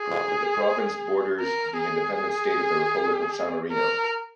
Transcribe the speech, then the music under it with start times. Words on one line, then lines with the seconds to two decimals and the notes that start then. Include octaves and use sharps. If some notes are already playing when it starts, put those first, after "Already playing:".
The province borders the independent state of the Republic of San Marino.
Already playing: G#4
1.40 A#4
1.78 G#4
3.72 A#4